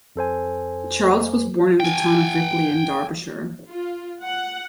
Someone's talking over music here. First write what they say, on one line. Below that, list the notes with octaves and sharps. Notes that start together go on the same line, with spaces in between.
Charles was born in the town of Ripley in Derbyshire.
F2 A4 C5 G#5
G5 G#5
F4
F#5